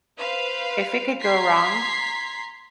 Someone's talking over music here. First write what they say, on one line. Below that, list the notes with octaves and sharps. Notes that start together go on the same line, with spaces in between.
if it could go wrong,
B4 C5 F5
A#5 C6 G#6 B6 C7